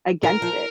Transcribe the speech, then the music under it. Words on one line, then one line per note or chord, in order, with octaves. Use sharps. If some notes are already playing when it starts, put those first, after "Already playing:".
against it.
D#3 A#4
F3